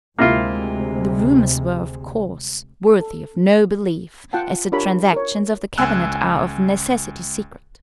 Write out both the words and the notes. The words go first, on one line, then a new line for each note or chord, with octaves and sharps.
The rumours were, of course, worthy of no belief, as the transactions of the Cabinet are of necessity secret.
D2 C3 G#3 A#3 E4 F4
A4
F4 F#5 G5 A5
D4 F4 G4 A#4 C#5 B5
A#4 C#5
C#2 G#5 E6 F#6